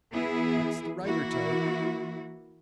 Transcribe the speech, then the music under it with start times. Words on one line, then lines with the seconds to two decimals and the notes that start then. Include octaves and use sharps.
'That's the writer-type.
0.13 E3 B3 E4 G#4
1.05 E3 A#3 E4 F#4